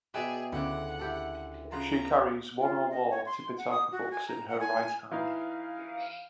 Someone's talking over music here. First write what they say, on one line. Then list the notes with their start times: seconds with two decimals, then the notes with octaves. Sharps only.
She carries one or more Tipitaka books in her right hand.
0.14 B2 G#4 B4 D5 E5 G5
0.52 D2 C#3 E4 F#5 D6
0.99 E4 G4 A4
1.72 C#3 B3 F4 A#5
2.60 F4
2.91 D#5
3.10 C#5
3.26 C6
3.58 F#5
3.71 D#6
3.92 F#4
4.12 G#5
4.28 A#5
4.48 F#5
4.60 G#5
5.11 E3 D#4 F5